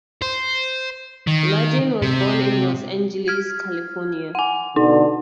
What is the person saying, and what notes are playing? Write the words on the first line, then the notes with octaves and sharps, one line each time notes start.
Ledeen was born in Los Angeles, California.
C5
D#3
C3
F6 G#6
F#5 G#5
B2 D3 D#4